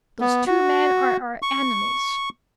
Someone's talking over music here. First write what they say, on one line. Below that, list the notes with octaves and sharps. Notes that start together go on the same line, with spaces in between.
Those two men are our enemies.
B3
F#4
C#6